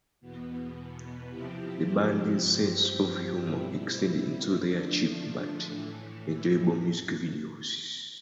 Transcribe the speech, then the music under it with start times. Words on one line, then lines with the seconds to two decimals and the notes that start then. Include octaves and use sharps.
The band's sense of humour extended into their cheap but enjoyable music videos.
0.21 E2 B2 B3
1.29 C3 F3 C4 E4 G4
2.39 G2 F3 C4 G4
3.48 B2 G3 C4 E4
4.57 D3 F3 A3 D4
5.67 A2 E3 A3